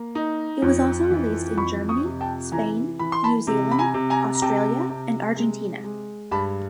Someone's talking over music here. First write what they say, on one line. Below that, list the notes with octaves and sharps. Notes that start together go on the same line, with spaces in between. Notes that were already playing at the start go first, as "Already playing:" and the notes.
It was also released in Germany, Spain, New Zealand, Australia and Argentina.
Already playing: A#3
D#4
F2
E3
F2 B5 C#6
C#6 D#6
C3
G5 A5
E3 G#5 A#5
E3 B5
C6
A5 B5
C3
B5
G#5 A#5
C3
G#5 A#5
A#5
C3 G5 A5
C3
G#3
G#3
G2 A5 B5